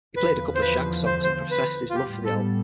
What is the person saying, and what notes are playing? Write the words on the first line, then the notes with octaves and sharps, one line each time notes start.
He played a couple of Shaggs songs, and professed his love for the album.
E2 D3 F3 B4
C5
B4
C5
C5
B4
F4
A2 G3 B3 G4
A4